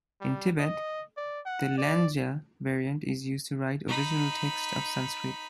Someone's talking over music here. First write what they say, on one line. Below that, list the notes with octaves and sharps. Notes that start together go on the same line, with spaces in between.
In Tibet, the Lanydza variant is used to write original texts of Sanskrit.
G3
D#5
D5
F#5
D5
D#4 B5